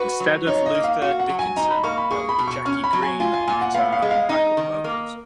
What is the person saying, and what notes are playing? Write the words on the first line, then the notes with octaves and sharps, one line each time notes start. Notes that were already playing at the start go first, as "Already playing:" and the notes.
Instead of Luther Dickinson, there will be Jackie Greene on guitars and backup vocals.
Already playing: F#4 B4
F#3
D#4 C#5
D#5
A#3
F5
F#4 F5
F#5
F#3
G#5
D#4 A#5
B5
A#3 C#6
B5
G#4 C#6
B5
B2
C#6
C#4 C#6
B5
F#3
G#5
F4 G#5
G#5
A#2 G#5
F#5
B3 F5
F5
G#3
F5
D#4 D#5
D#3
A#3